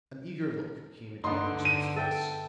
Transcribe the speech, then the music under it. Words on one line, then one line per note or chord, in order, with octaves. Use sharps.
An eager look came into the prisoner's face.
G2 D3 B3 D#4 C6
D#7
A4 E5 G5